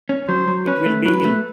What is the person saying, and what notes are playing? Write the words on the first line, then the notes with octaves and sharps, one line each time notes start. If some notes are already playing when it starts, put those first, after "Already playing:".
It will be ill.
C#4
F#3 C5
F#3
C#4 B4
A3
F#3 B4
A3